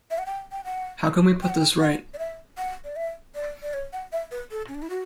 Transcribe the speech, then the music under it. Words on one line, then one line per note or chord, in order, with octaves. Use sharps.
How can we put this right?
E5
F#5
G5
G5
F#5
G5
F#5
G5
F#5
D5
E5
F#5
D5
E5
D5
D5
C#5
F#5
E5
B4
A4
C#4
D4
E4
F#4